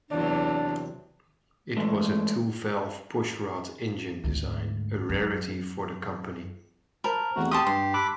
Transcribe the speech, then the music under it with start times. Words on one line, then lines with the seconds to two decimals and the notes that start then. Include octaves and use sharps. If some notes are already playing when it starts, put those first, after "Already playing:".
It was a two-valve pushrod engine design, a rarity for the company.
0.11 E2 C3 F#3 D4 D5
1.77 E3 G#3 A3
4.24 D2 G#2
5.09 F#2
7.04 A#4 C5 A5 B5
7.36 E2 A3 C4 F#4
7.51 G4 A5 C6 D#6
7.67 G2 C6
7.94 A5 B5 D6 E6 F#6